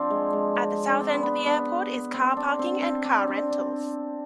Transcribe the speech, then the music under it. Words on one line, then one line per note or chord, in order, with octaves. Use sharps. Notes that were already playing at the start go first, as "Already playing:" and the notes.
At the south end of the airport is car parking and car rentals.
Already playing: F3 C4 D4
G#3
G#3
C4
D4
C4
B3
B3
B3
C4
D4
C4
C4
D4
C4
D4